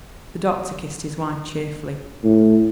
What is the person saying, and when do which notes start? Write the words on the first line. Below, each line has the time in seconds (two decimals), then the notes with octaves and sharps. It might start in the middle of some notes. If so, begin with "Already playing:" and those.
The doctor kissed his wife cheerfully.
2.24 A2